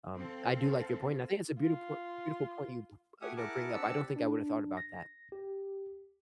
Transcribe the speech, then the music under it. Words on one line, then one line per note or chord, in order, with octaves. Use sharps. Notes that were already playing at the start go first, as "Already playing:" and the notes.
um, I do like your point, and I think it's a beautiful po beautiful point you, uh, you know, bring up, I don't think I would've thought about that.
C4 A4 F5
F4
A3 G4 F#5 G#5 D#6
E4 G#4 A#4 F#5 A5 D6
C4 D4 G4 F#5 A5 E6
D4
A#6
G4